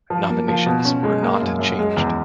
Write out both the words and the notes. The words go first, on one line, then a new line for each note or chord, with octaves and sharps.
Nominations were not changed.
F3
A#3
F3
B2
C#4
G#3
A#3
F#2
F#2
G#3
E2